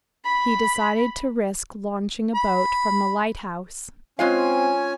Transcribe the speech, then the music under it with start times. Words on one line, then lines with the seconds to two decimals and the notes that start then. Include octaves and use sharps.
He decided to risk launching a boat from the lighthouse.
0.25 B5
2.35 B5
4.19 G#3 C4 C#4 F4 F5 G#5